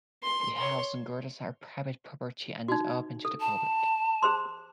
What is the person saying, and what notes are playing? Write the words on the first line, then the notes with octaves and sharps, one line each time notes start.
The house and gardens are private property and not open to the public.
C6
C#5 C6
D#4 F#4
A4
A5
G#4 C5 C6